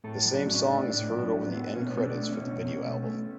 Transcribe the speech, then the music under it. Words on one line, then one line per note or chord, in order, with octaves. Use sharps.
The same song is heard over the end credits for the video album.
A2 A4
F#3
D4
A2 C#4
D4
A3
A2 D4
F#3
D4
A2
B3
A3
B2 C#4
B3
A3 C#4
D4
A3
C#4
B2
B2
A3
A3